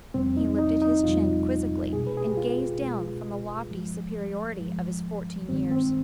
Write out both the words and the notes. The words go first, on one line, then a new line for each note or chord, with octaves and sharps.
He lifted his chin quizzically, and gazed down from the lofty superiority of his fourteen years.
F2 C3 G3 C4
D#4
D#4
D#4
F2 C3 G3 F4
C2 B2 G#3 G#4
B4
G#4
G4
F4
C2 B2 G#3
G2 F3 G#3
G2 F3 G#3
G2 D#3 G#3 C4
C4